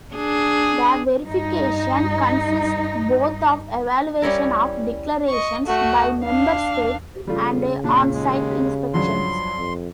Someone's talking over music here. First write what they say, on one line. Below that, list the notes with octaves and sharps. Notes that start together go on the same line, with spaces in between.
The verification consists both of evaluation of declarations by member states and on-site inspections.
D4 G#4
G2 D#4
G3 C#4 E4 A#4
D#5 C#6
A3 F#4
D4 F5
C#3 G3 A3 F4
A#2 D4
D#2 G#3
G4
G2 F3 F#3 C6
F2